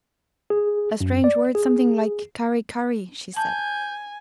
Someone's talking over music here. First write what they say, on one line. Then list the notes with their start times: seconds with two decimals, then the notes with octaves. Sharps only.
"A strange word something like curry curry," she said.
0.50 G#4
1.01 F#2
1.24 D5
1.55 G#4
3.36 G#5 A5 G6